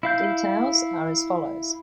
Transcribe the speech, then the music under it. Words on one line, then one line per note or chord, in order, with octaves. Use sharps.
Details are as follows.
E4 F5 G6